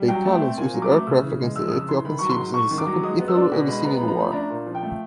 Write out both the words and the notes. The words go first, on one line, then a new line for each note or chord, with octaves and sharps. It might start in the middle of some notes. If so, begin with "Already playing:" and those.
The Italians used aircraft against the Ethiopian cities in the Second Italo-Abyssinian War.
Already playing: G3
F#3 G5
A3
G5
C4
A#2 G#5
F#3
D6
A3
C#3 E6
E3
G#3
F2 E6
D#6
C#3 E6
E3 C6
D#3 B5
F#3 C#6
C6
G#2
G#2 C#6
D#3
D6
F#3
G#3 D#6
B3
E6
D4
B2
G#3 B5
B3 A#5
F3 B5
A#5
A3 B5
D4 A#5
A#2
F3
G5
A3